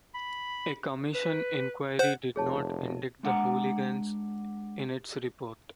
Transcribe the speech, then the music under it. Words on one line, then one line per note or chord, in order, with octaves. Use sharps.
A commission inquiry did not indict the hooligans in its report.
B5
B4
C5 F#5
F1 G#4 C#5 A5
G#3 D4 F#5 G#5 A#5